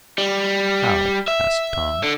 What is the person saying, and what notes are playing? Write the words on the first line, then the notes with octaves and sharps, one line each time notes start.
"How?" asked Tom.
G3
E5
D3